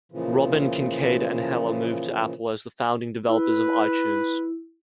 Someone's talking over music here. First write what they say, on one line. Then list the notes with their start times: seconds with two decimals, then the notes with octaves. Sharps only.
Robbin, Kincaid, and Heller moved to Apple as the founding developers of iTunes.
0.12 A#2 C#3 E3 F3
3.29 E4 B4